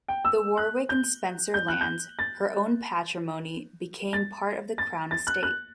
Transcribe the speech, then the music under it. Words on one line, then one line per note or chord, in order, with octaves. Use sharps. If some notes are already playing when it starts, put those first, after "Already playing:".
The 'Warwick and Spencer lands', her own patrimony became part of the crown estate.
G5
E6
F#6
G6
G6
F#6
G6
A6
A6
A6
A6
F#6
F#6